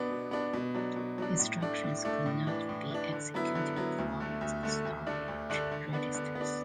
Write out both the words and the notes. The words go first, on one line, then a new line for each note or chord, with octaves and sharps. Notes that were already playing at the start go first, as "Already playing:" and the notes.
Instructions could not be executed from the storage registers.
Already playing: B2 B3 D4
B2
B3 D4
B2
F#3 D4
B2
F#3 D4
A2
A3 D4
A2
A3 D4
A2
E3 D4
A2
E3 D4
D3
F#3 B3 E4
D3
F#3 B3 E4
D2
D3 A3
D2
D3 A3
D2
D3 A3 D4
D2
D3 A3 D4
D3
B3 D4
D3
B3
D4